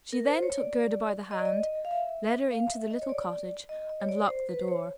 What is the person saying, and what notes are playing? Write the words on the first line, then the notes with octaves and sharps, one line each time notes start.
She then took Gerda by the hand, led her into the little cottage, and locked the door.
A#4
C5
C#5
D5
D#5
D5
D#5
F5
E5
F5
E5
D#5
C#5
D5
D#5
D#5
C#5
D5
C5
B4
C5
C#5